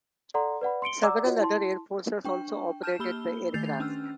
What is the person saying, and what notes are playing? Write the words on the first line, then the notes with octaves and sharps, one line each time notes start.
Several other air forces also operated the aircraft.
A4 D5 F#5 A#5 C6
B4 D5 F#5 B5
C6 C#7 D7 G7
D5 F#5 A#5 D6 E6
F4 F#4 C#5 D#5 F#5
E4 A5 C6
D4 G5 C#6
A5 F6 G6 E7
A#3 G4 B5 E6 G7
D#3 A3 G6 A6 C7 F7
C#4 D4 E6 F6